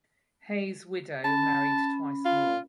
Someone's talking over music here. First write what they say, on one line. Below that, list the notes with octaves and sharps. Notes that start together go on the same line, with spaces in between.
Hay’s widow married twice more.
C#4 A5 B5
F4